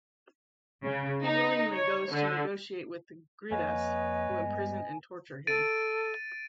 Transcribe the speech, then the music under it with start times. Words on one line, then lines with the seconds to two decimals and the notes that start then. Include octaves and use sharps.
He willingly goes to negotiate with the Griddas, who imprison and torture him.
0.84 C#3
1.23 D#4
1.73 C#5
2.12 D3
3.51 F2 A#3 B4 C#5 D#5 F5 G#5
4.30 G2 G#3 B3
5.47 A4 A6 D7 D#7